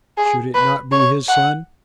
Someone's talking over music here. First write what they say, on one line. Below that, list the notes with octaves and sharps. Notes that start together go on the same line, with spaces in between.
Should it not be his son?
G#4
B4
C#5
F#5